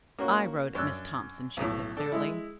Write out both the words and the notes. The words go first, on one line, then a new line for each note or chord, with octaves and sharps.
"I wrote it, Miss Thompson," she said clearly.
A#3 C#4 F#4
F#2 D4 E6 F#6
B1 A2
D4 A4
G#3 E4